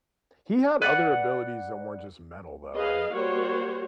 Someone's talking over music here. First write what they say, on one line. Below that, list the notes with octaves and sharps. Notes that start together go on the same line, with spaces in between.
He had other abilities that weren't just metal though, right?
B4 D5 F#5
G#4 B4 D#5 F5
G3 A#3 F#4 C5 C#5